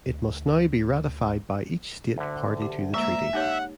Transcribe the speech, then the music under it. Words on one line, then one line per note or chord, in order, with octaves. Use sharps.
It must now be ratified by each state party to the treaty.
D2
D2 D3
G4
G#3 A#3 E5 A#5
D#4 G4 C#5 F#5 G#5